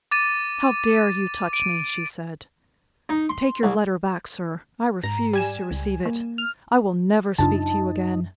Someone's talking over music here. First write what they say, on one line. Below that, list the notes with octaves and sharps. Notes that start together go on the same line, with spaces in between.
How dare you touch me!" she said. "Take your letter back, sir; I refuse to receive it; I will never speak to you again.
D6 A6 D#7
D7 D#7
D#4
C6
C2
G#2 A#5
G3 G#5 E7
C#2
A#3
F6
F#2 C#3 D4 D#4 F4 A5